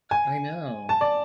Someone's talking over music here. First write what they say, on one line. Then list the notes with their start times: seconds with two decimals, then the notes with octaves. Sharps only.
I know.
0.11 G#5
0.89 A5
1.01 D5